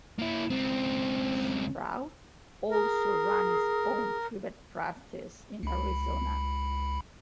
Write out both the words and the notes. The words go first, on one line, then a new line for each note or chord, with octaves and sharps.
Straub also ran his own private practice in Arizona.
A#3 E4
C#2 C4
G#4 A#4
C#2 B5